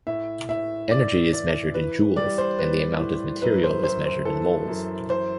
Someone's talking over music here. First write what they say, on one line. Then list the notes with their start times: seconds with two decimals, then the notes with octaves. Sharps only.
Energy is measured in joules, and the amount of material is measured in moles.
0.07 A2 E5
0.49 A2 E5
0.90 A2 D5
1.33 E3 D5
1.74 E3 B4
2.16 G3 D5
2.38 C5
2.59 E3 B4
3.00 A2
3.42 F#2 B4
3.64 C5
3.84 F#2 C5
4.05 C5
4.25 E3 A4
4.68 F#2
5.10 E3 C5